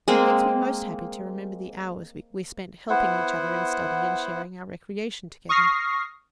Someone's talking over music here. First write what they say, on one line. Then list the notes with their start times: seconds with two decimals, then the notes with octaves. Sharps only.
It makes me most happy to remember the hours we spent helping each other in study and sharing our recreation together.
0.08 G#3 A#3 C4 G#4
2.90 B3 E4 C5 F#5
5.49 C#6 D#6 F6 A#6 C7